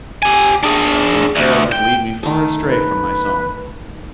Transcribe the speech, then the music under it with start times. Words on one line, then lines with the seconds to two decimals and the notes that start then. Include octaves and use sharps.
But these tales would lead me far astray from my song.
0.23 G4 G#5
0.63 D4 G#4
1.36 D2
1.72 G5
2.23 D#3 A3
2.62 B4